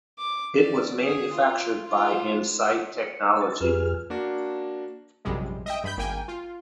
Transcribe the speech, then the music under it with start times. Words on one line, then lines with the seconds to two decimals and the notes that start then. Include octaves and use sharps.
It was manufactured by Insight Technology.
0.19 D6
0.56 D5
1.02 G#4
1.34 F4
1.87 F4
3.03 C#7
3.41 A6
3.61 F2 F4 G4 G#4 B4 F6
4.10 A#3 D4 F#4
5.25 A#1 F#2 C3 G3 G#3
5.66 D#5 E5 G5
5.84 G2 B5 G6
5.97 G#1 A#3 G5 G#5
6.28 F4